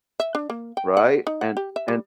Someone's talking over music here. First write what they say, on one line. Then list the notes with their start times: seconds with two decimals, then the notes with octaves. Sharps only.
right? And and
0.20 E5
0.35 D4
0.50 A#3
0.77 G5
0.97 F#5
1.27 D#4
1.41 F#5
1.57 G4
1.76 E5
1.88 G3